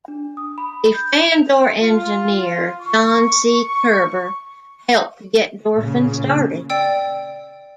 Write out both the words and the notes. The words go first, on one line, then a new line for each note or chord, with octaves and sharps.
A Fandor engineer, John C. Koerber, helped to get Dorfan started.
D4
D#6
B5
G6
F7
F4
C#6
A#2 C#3
D5 G5 E6